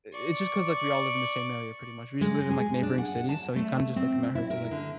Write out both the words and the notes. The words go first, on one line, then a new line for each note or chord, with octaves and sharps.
i it's just 'cause, like, all live in the same area pretty much, we just live in, like, neighboring cities, so he kind of just like met her through, like,
D5 C#6
G#3
G#4
D4
F#5
A5
A3
C4
E4
A#4
D3